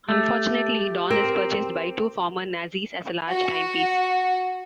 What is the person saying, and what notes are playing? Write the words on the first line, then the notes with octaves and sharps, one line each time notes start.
Unfortunately, Don is purchased by two former Nazis as a large timepiece.
A3 G4
C4 A#4
F#4